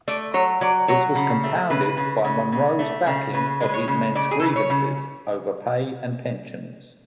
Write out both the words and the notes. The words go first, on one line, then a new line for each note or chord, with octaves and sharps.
This was compounded by Monro's backing of his men's grievances over pay and pensions.
A3 D5
F#3 C#5
F#3 D5
F#3 C#5
C#3
A3
C#3 B4
C#3
C#3
C#3
A3
C#3
C#3 B4
G#3 B4
C#5
C#3
C#3 D5
G#4
A4
C#3 B4
C#5
C#3